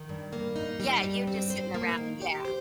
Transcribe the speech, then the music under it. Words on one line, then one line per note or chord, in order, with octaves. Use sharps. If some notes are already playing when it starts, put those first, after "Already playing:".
Yeah you're just sitting around, yeah.
Already playing: D#3
G2
A#3
D#4
G3
G2
C4
C5
A#3
D#3
G4
C5